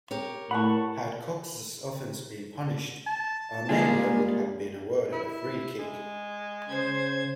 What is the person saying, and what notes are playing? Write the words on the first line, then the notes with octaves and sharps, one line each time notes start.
Had Cox's offence been punished, Armenia would have been awarded a free-kick.
G4 A#4 C#5
A2 F#5 A5 B5 C#6
A5
G3 G#3 A#3 F4 G#4
E4
G#3
C#3 C5 G#6